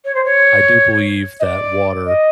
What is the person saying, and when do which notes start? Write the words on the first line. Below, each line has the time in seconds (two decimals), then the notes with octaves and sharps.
I do believe that water
0.04 C#5
0.14 C5
0.24 C#5
1.39 D#5
1.43 D5
2.06 D#5